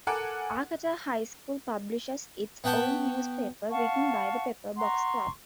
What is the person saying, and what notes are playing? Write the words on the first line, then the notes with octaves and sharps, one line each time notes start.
Arcata High School publishes its own newspaper written by the Pepper Box Club.
A4 A#4 F#5 G#5 D6
B3 F#5 G5 A5 C#6
F5 F#5 A5 C#6
F#5 A#5 C6 C#6